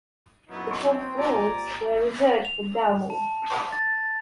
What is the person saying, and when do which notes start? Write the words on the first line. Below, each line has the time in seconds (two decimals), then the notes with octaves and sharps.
The top floors were reserved for Dalmor.
0.49 F#2 A#2 F#3 B3 D#4 E4
0.85 C4
1.16 A#2 G4 D5 G#5 A#5
2.45 F7
3.10 A5
3.72 A6